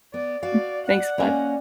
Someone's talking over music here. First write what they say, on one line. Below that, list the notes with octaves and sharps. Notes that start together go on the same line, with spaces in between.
Mm, thanks, bud.
B3 D5
F#4 D5 F5
D5 F#5
A#3 C#4 D#5